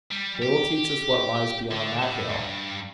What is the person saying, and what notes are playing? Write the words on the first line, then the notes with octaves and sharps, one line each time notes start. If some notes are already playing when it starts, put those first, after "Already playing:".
They will teach us what lies beyond that hill.
G3
G4
D3
A2
G2